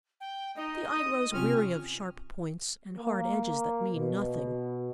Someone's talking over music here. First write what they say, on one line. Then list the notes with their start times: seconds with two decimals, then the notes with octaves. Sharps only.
The eye grows weary of sharp points and hard edges that mean nothing.
0.20 G5
0.56 D#4 D#5
0.89 D#6
1.33 C3 C4 C#4 F4 F6
2.98 A#3
3.95 B2